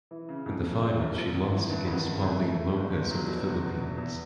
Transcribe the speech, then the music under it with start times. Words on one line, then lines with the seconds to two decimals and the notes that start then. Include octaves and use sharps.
In the final she lost against Pauline Lopez of the Philippines.
0.11 E3
0.29 C#3
0.46 F2
0.63 A#2
0.81 A3
0.99 A#1
1.17 F3
1.34 G#1
1.52 E3
1.70 G2
1.87 G#1
2.05 C#3
2.23 F2
2.40 A3
2.58 C#3
2.76 G1
2.93 G1
3.11 F#3
3.28 G1
3.46 E2
3.63 B2
3.81 E2
3.98 E2